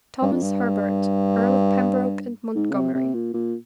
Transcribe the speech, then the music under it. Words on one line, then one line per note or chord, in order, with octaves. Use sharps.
"Thomas Herbert, Earl of Pembroke and Montgomery."
G2
F2
G2
G#2
C#3
C3
C3
A#2
A#2